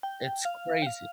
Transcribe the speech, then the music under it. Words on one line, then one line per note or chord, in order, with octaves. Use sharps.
it's crazy.
G5
F5
G5
F5